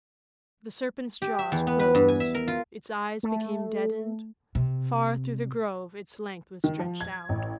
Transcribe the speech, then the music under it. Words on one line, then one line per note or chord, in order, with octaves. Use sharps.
The serpent's jaws closed; its eyes became deadened; far through the grove its length was stretched out.
G4
E5
E2
B3
B4
G2
G#5
E5
A#4
F4
A3
C3
D#3
F3
G#6
A1